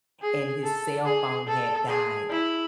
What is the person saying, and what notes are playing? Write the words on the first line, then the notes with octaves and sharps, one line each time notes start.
and his cell phone had died.
G#4
A4
G#4
A4
G#4
E4